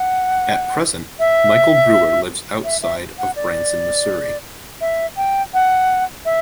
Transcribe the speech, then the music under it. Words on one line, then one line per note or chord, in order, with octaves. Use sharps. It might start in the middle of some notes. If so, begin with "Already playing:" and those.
At present, Michael Brewer lives outside of Branson, Missouri.
Already playing: F#5
E5
E5
E5
F#5
D5
E5
G5
F#5
E5